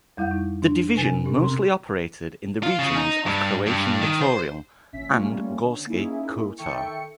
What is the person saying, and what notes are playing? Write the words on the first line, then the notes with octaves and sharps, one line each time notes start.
The division mostly operated in the regions of Croatian Littoral and Gorski Kotar.
F2 G3 E4 F5 F#5 G6
D#4
D4
C3 B4 G#5 A6
C3 C#4 G4
B2 C4 C6
F4
C#3
D#4
G2
G2
D#3
C5
A1 A#2 C#4 E5 B6
G3 A3 A#3 C#4 F4
D3 C#4
A#3 C#4 D#4 E4 G#4
D#3 A4 E5 G5 C#6 C#7